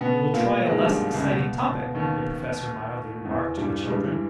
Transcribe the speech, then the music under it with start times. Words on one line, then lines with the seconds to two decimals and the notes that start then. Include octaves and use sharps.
"We will try a less exciting topic," the Professor mildly remarked to the children.
0.01 B2 B3
0.33 A#2 A#3
0.66 G#2 G#3
0.82 G2 G3
1.14 C#2 C#3
1.31 B2
1.63 B2
1.95 D#2 D#3
3.25 E2 E3
3.57 G2 G3
3.84 G#3
3.90 G2 G3
4.05 E3